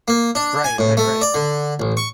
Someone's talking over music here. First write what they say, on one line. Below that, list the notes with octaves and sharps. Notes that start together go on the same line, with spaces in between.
Right. Right, right.
A#3
D4
G#5
A2
A3
D5
D3
A1
C#6